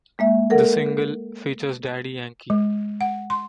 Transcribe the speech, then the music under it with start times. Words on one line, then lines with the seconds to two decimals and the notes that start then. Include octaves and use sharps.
The single, features Daddy Yankee.
0.19 G#3 A#3 E5
0.50 A4 A#4 F#5
2.50 G#3
3.01 F#5
3.30 C6